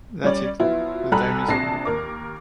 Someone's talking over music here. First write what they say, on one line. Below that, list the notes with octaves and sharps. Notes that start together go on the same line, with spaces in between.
That’s it. The time is over.
G3 C#4 C#5 D5
F3 F#3 B3 E4 F4
B1 G3 A4 A#5 B5 F#6
A#1 C3 A5 A#6 C7
D#2 A#4 D6